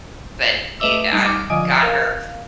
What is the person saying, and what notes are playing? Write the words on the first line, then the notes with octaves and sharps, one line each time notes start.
But e I got her
A3 B4 D#5 E5 D6 E6
G3 D#4
D6 F6
D3 F3 D#5 G#5 D#6 D7
A#4 F5